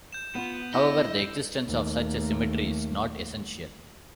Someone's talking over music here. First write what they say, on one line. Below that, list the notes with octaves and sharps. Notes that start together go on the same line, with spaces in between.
However, the existence of such a symmetry is not essential.
G6 E7
B3 F4 F#5
E4 D#5 E6
D#2 A3